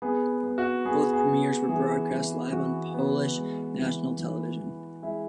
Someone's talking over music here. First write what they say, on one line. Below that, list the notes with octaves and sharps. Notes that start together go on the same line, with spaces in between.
Both premieres were broadcast live on Polish national television.
B3 G#4
B3
F#4
B3 G#4
G#4
B3
E3 G#4
E3
E3 F#4
B3
G#3
E3
E3
E3
G#3 E4